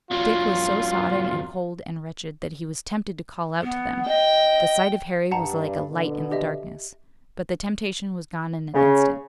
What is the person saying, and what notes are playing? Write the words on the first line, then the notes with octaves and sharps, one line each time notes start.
Dick was so sodden and cold and wretched that he was tempted to call out to them--the sight of Harry was like a light in the darkness--but the temptation was gone in an instant.
E2 F#3 F4
B3
D#5 G5
G2 F#5 A5 A#5
B2 D3
G4 D#5 E5
C#3